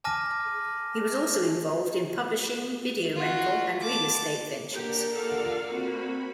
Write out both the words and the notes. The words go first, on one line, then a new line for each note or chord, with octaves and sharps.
He was also involved in publishing, video rental, and real estate ventures.
G#5 A5 D6 F6 A#6 D#7
F4 F#4
A5 D6
A#3 D4 G4 A#4 F#5
F4 A4 D5 F5
A#3 C4 F#4 B5